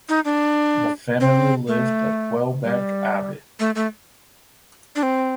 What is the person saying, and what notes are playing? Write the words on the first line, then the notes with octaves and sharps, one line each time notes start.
The family lived at Welbeck Abbey.
D#4
D4
C4
A3
G3
A3
A3
D4
C4